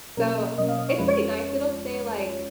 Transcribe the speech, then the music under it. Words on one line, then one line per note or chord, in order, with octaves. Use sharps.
so, it's pretty nice. It'll stay, like
B2 F#3 A#3 C#4 A#4
B2 F#3 A#3 C#4 D#5
F5
D#5
C#5
F2 F3 G#3 C#4 F4 B4
C#5